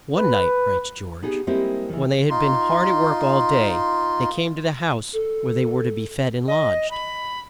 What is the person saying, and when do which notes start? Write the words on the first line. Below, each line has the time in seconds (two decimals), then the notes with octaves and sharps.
One night, writes George, when they had been hard at work all day, they came to the house where they were to be fed and lodged.
0.15 B4
1.22 B3 D#4 G4 G#4
1.47 G3 G#3 A#3 C4 E4 G4
1.89 D#3 E3
2.30 D#4 F4 C6
5.13 A4
6.47 D#5
6.90 B5